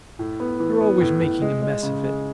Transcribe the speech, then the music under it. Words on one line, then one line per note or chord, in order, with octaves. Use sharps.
You're always making a mess of it.
A2
B3
E3
B3
A2
A2
G#3
G#3
C#3
G#3